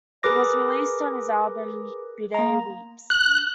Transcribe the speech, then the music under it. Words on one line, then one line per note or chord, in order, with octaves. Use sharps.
It was released on his album "Bede Weeps".
G#4 A#4 B4 D6 A#6
A#3 A#5
F#6